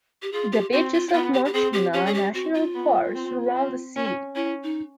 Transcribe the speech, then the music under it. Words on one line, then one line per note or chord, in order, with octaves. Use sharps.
The beaches of Mochima National Park surround the city.
G4
F4 G#4
G4
C4 F#4
F4
E4
B3 F4
G4
G4
C4 G#4
G4
C#4 G4
G#4
G4
C4 F#4
F4
B3
C4
C4
C#4
C#4 E4
D#4